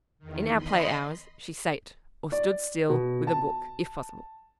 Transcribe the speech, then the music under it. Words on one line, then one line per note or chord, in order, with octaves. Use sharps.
In our play hours she sate, or stood still, with a book, if possible.
E2 D#3
D#5 B5 C6
D5
B2
A5